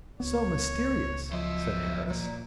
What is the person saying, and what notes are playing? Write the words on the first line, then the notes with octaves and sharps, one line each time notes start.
"So mysterious!" said Harris.
C#2 B3 C#5
F#2 F3 C5 D#5 E5
A#2